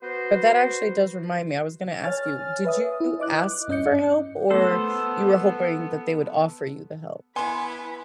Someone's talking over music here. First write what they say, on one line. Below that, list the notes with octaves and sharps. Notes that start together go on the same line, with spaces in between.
But that actually does remind me, I was gonna ask you. Did you ask for help or you were hoping that they would offer you the help?
B3 F#4 C5
C#5 G#5 F6 A6
B4 E5 D#6
E4
D#5 D6 F#6
G2 C#4 D#5 G6 C#7
A3 B3 A4 C5
E3 B3 E4 G#5 B5 C6